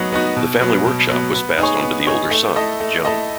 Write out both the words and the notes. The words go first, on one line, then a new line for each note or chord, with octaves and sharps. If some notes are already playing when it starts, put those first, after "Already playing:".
The family workshop was passed onto the older son, Joan.
Already playing: F#3 B3 D#4 F#4
B3 D#4 F#4
B2
F#3 B3
B2
F#3 B3
B3
D#4 G#4 C#5
B3
D#4 G#4 C#5
A3
E4 A4 D#5
A3
E4 A4 D#5